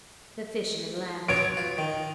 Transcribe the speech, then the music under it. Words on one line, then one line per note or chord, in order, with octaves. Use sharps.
The fisherman laughed.
F#3 B3 C#5 D7
F4
D#3